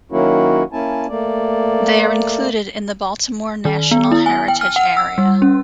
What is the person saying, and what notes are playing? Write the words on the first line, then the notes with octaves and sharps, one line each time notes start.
They are included in the Baltimore National Heritage Area.
D#3 F#3 A#3 C#4 E4 F#4
A#3 C#4 E4 G#5 A5
A3 A#3 D5
D#3
B3
E4
G#5
G5
F6
F#5
E6
G3
C#4